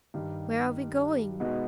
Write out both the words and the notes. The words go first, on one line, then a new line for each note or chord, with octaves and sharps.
"Where are we going?"
G2 D#3 G3
B2 G#3 B3 D#4 F#4